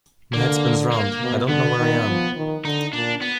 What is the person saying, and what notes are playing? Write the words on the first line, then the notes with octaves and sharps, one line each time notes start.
My head spins round: I don't know where I am.
D3 A#3
A#3
B2
D3 B3
D#3
F3
D#3
D3 D#4
A#2 D4
B3